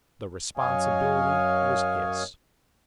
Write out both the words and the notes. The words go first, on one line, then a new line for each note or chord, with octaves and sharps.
The responsibility was his.
F#2 C#5 D#5 F5 G#5